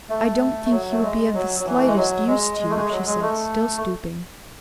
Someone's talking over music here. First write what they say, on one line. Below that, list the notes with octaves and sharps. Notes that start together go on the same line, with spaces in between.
"I don't think he would be of the slightest use to you," she said, still stooping.
A3
F#3
A3
G#3
F#3
F#3
E3
A3
G#3
F#3
G#3
G#3
A3
G#3
F#3
G#3
A3